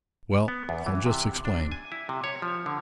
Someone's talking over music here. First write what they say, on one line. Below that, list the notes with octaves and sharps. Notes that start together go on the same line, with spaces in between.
Well, I'll just explain.
B3
E2
E3
C3
D4
G#5
E4
C3
C#5
F3
D3